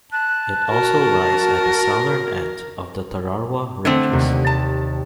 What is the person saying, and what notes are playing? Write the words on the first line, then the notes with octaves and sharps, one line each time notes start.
It also lies at the southern end of the Tararua Ranges.
A5 F#6
F#4 A#4
D3 A3 C4 G5
D#2 C3
A5